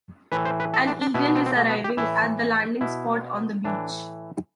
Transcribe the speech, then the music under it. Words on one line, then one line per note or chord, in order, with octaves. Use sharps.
An eagle is arriving at a landing spot on the beach.
A2 E3 B4
C5
B4
A4
D4
D4
B2 E4
D4
C4
C4
A3
B3
G4
A2 E3 E4
B2 E4
A2 E3 D4